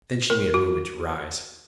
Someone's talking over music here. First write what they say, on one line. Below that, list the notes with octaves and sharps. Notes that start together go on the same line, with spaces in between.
Then she made a movement to rise.
A#4
F#4